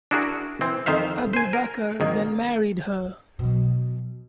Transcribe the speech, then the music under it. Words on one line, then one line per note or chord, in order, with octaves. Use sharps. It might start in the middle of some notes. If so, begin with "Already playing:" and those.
Abu Bakr then married her.
D4 E4 F#4 G#4 A#4
E3 C4
F2 D#3 C5 E5 F5
C5 G#5
A#4
G#1 D#3 A#3
B2 F#3